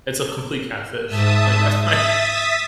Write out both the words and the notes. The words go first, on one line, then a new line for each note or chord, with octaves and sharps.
it's a complete catfish. Like, I I
G#2 E5 A5 D#6
E5 D#6 A6 B6